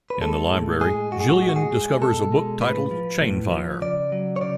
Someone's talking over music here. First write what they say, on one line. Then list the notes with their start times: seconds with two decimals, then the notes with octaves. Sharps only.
In the library, Jillian discovers a book titled Chainfire.
0.10 B4
0.21 G#3 A4
0.52 A2
0.81 G#3 G#4
1.11 A2 F#4
1.20 G#4
1.29 F#4
1.42 G#3 G#4
1.49 F#4
1.56 G#4
1.71 G#3
2.01 B2 A4
2.32 G#3
2.61 A2 B4
2.91 F3
3.21 A2
3.51 F3
3.81 C#3 D5
4.12 F#3
4.36 C#5
4.41 C#3 D5